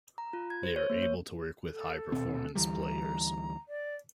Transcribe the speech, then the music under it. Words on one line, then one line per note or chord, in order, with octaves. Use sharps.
They are able to work with high performance players.
A#5
F4
G#6
C5
C#5
A#3
C#5
A4
D#1 B2 C4
D2 E3 G3 A#5
D5